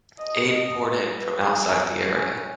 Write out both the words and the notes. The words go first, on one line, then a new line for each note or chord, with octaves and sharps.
Aid poured in from outside the area.
D#5
D#5
B4
B4
G#4
C#4